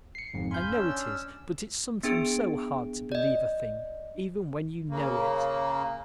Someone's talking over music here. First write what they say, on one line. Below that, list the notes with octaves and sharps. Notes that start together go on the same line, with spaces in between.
I know it is, but it's sometimes so hard to believe a thing even when you know it.
C7 C#7
G1 F2 G#2
F5 G#5 B5 C6 G6
C#4 D4 E6
B3 D4 G#4 D7
D5 D#5
C#3 A#3